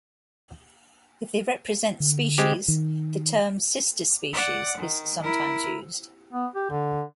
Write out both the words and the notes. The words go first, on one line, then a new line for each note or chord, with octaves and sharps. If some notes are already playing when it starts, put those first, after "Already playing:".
If they represent species, the term "sister species" is sometimes used.
D3
G#3 C4 G4
D#3
D5 F#5
D#3
E4 A#4
B3
G4
D3